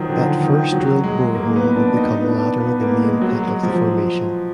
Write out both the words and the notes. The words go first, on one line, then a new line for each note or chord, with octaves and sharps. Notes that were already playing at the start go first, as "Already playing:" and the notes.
That first drilled borehole would become latter the main pit of the Formation.
Already playing: D#3 F3 F#3
D3
D#3
F#3
G#3
A#3
B3
D4
D#4
B3
D4
B3
A#3
G#3
F#3
G#3
F3